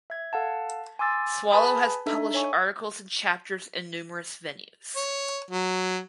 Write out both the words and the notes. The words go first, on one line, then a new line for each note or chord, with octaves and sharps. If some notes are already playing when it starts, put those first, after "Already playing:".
Swallow has published articles and chapters in numerous venues.
E5 G#6
A4 F5 F#5 A5
G#5 C6 D6 E6 A6
G#4 B4 G#5 A5 B5 D#6
D4 D#4 A4 E5
C#5 G#5 C#6
C#5
F#3